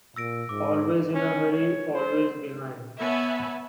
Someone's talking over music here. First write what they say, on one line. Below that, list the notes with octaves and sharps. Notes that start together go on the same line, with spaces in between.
Always in a hurry, always behind.
A#2 E6 A#6 D7
G#2 D6
C#4
C#5
C5
B3 C#5 E5 G#5 A5 B5